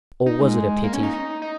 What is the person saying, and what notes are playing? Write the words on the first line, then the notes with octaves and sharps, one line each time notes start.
Or was it a pity?
D#4
G#3
A#3
C#4
D#4
D#4
D#4